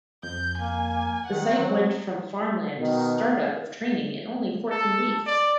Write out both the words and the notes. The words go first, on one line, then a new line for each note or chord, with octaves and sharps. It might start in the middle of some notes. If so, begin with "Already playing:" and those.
The site went from farmland to start-up of training in only fourteen weeks.
F2 G6
A#3 G#5
D#3 F#5
F#3 C4
B2 D#3
A4
D5